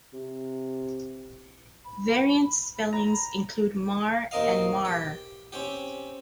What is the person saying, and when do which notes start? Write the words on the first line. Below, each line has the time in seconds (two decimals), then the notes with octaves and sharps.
Variant spellings include Mar and Marre.
0.13 C3
1.85 B5
2.93 A#5 B5
4.31 D#2 C4 A#4 D#5 F5
4.85 G4
5.52 C4 C#4 G4